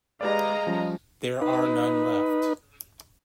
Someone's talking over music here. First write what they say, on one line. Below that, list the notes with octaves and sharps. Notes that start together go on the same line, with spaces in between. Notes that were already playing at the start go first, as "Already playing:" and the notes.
There are none left.
G#3 G4 B4 D5 D#5 F5 A#5
F3 G3 C#4
D#4 B4